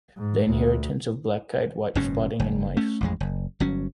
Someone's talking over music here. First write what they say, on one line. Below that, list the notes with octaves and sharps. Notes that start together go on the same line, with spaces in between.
The inheritance of black-eyed white spotting in mice.
G#2
D2
F#1 G#2 B2 C#4
F#1
A3 C#4
A1 F2 G#3
F#1
G1 F#3 C#4